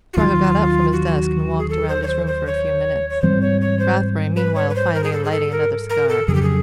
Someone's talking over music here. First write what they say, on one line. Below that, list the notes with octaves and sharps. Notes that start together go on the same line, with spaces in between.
Spargo got up from his desk and walked around his room for a few minutes, Rathbury meanwhile finding and lighting another cigar.
F#4
D#2 D#3 F#3 F4
F#4
G#4
A4
C5
C#5
C5
C5
C#5
C#5
G#2 E3 G3 C4 C5
C#5
C#5
C5
B4
C#5
B4
C5
A#4
G#4
A4
G#4
A4
A#4
A#4
A4
F2 C#3 F#3 G#4
G4
G#4